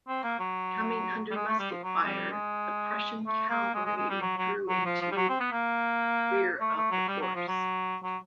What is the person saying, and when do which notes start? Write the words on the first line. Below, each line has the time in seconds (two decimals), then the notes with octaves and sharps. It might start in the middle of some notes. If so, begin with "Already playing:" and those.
Coming under musket fire the Prussian cavalry withdrew into rear of the force.
0.08 C4
0.24 A#3
0.39 F#3
1.31 G3
1.35 G#3
1.47 A3
1.59 G3
1.71 F3
1.83 F#3
2.02 G#3
2.06 G3
2.31 G#3
3.26 A3
3.50 A#3
3.74 G#3
3.85 G#3
3.97 G#3
4.10 G3
4.21 F#3
4.37 F#3
4.68 F#3
4.85 F3
5.01 F3
5.12 G3
5.17 F#3
5.29 C4
5.40 B3
5.52 A#3
6.60 A3
6.76 A3
6.91 F#3
7.08 G3
7.21 F#3
7.35 F3
7.48 F#3
8.03 F#3